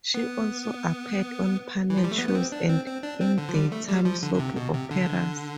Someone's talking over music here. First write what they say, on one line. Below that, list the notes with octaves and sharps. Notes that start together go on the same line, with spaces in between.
She also appeared on panel shows and in daytime soap operas.
B3
E3
F3
G3
A3
B3
B3
C4
D4
C4
C4
D4
C4
D3
F3
G3
A3
G3
F3
D3
D3
C3
B2
C3
D3